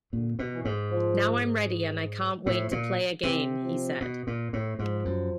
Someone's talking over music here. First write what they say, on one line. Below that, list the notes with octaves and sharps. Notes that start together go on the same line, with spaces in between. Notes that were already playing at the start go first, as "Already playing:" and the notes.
Now I'm ready and I can't wait to play again, he said.
A#2 D3
B2
E3
G#2
F3
A2 F3
A#2
C3 E3
F3
B2
A#2
A2
G#2 F3
F#2